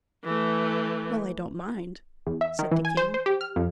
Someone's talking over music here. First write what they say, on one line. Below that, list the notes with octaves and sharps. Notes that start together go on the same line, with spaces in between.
"Well, I don't mind," said the king.
E3 A3
E2
E5
D#3
E3
G#5
C5
C5
G4
F6
F2